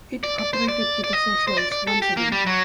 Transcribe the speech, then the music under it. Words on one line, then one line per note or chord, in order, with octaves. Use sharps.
It operated to the Seychelles once a week.
D5
D5
C5
D5
D5
D#5
C5
D5
D5
A4
G4
A#3
G3
F#3